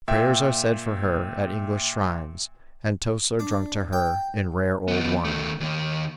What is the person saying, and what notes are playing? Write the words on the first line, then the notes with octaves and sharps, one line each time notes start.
Prayers are said for her at English shrines, and toasts are drunk to her in rare old wine.
A#2 E5 G5
D4
G5
D#3 B3
D#3 A3
D#2 D#3